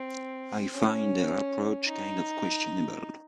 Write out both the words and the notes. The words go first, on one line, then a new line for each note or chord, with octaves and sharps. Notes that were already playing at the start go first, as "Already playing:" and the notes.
I find her approach kind of questionable.
Already playing: C4
C#4
D#4